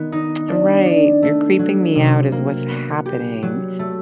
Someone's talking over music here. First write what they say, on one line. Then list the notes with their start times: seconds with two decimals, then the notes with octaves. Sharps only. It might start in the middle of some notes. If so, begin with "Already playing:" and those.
Right. You're creeping me out is what's happening,
Already playing: D#3 B3
0.12 D#4
0.48 D4
0.86 D4
1.22 A3
1.59 F#3
1.95 C3
2.32 A#3
2.69 B3
3.06 G4
3.43 F#3
3.79 A3